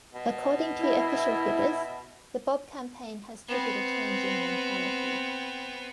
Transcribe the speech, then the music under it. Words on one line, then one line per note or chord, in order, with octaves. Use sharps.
According to official figures, the Bob campaign has triggered a change in mentality.
B2
E4
B3 C4